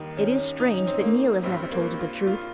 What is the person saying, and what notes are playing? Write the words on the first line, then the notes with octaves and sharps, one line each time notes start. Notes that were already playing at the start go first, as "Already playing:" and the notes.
It is strange that Neil has never told her the truth.
Already playing: D#2 D#3 G3 D#4
C#4
D#4
C#4
C4
A#3
G2 G3 C4
A#3
F4
F4